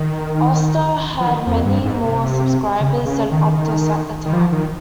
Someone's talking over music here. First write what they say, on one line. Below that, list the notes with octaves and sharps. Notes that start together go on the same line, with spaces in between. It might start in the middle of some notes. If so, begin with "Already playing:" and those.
Austar had many more subscribers than Optus at the time.
Already playing: D#3
F3
D#3
F2
G2
G#2
C3
C#3
C#3
D#3
D#3
F3
D#3